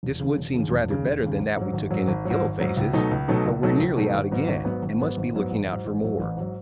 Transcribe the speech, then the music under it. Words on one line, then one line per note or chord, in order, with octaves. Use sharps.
This wood seems rather better than that we took in at Yellow-Face's, but we're nearly out again, and must be looking out for more.
E1
D#2 C#3
E1
D#2 C#3
E1
D#2 C#3
E1
D#2 C#3
G#1
G#2 F#3
G#1
G#2 F#3
G#1
G#2 F#3
G#1
G#2 F#3
C#2
B2 F#3 A3 D#4
C#2
B2 F#3 A3 D#4
C#2
B2 F#3 A3 D#4
C#2
B2 F#3 A3 D#4
G#1
G#2 F#3 B3
G#1
G#2 F#3 B3
G#1
G#2 F#3 B3
G#1
G#2 F#3 B3
A1
G#2 F#3
A1
G#2 F#3
A1
G#2 F#3